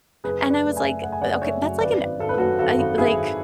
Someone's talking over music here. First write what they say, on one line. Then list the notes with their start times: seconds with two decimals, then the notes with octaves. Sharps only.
And I was like, "Eh, okay, that's like an, um, I like,
0.24 F#1 G#4 B4
0.44 F#1
0.50 B4 D5
0.64 A3
0.76 E5 G#5
0.83 A3
1.03 A3 F#5
1.12 G#5
1.22 F#1 D5 F#5
1.41 A3 C#5 E5
1.62 F#2
1.80 G#1 B4 D5
2.01 G#1
2.19 G#1 A4
2.29 B4
2.38 F#2 F#4 A4
2.59 G#1 F#4 A4
2.78 G#1
2.98 G#1 E4 G#4
3.18 G#1